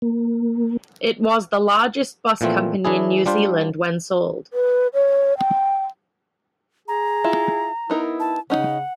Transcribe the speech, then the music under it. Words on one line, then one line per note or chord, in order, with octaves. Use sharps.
It was the largest bus company in New Zealand when sold.
A#3
A#2 E3 F3 A3 C4
E3 D4 E4 G#4
G3 D4 F4 C5
B4
C#5
G5
G#4 A#5
E4 F4
B3 D#4 E4 A#4
A5
C#3 C#4 D#4 F#5